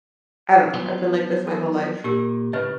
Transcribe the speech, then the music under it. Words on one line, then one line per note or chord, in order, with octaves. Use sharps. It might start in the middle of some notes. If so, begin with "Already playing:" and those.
I don't know, I've been like this my whole life.
F#3 B3 F4
A4 A#4
A#2 G4 A#4
C#2 A2 C#3 B4 D#5